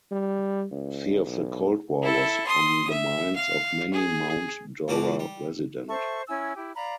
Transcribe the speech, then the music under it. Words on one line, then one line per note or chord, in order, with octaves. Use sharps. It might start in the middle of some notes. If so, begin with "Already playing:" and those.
Fear of the Cold War was on the minds of many Mount Dora resident.
G3
C#2
B1
E4 A4
C6 D#6
E5
F5
G#4
C#2 F#2 C#3 F#4 A5 D6
G3
A4 C5 E5 C#6
C#4 E4 G#5 E6
E4 G4
D5 F5 A#5 B5